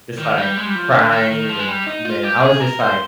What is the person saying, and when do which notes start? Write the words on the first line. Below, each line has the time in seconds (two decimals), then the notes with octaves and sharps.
just, like, crying, and, man, I was just, like,
0.19 D#3
0.38 G3
0.58 G#3
0.66 G3
0.75 F3
0.93 D3
1.12 D#3
1.31 D#3
1.49 F3
1.59 G#3
1.68 G3
1.87 D#4
2.05 F4
2.24 G4
2.42 G#4
2.61 A#4
2.80 C5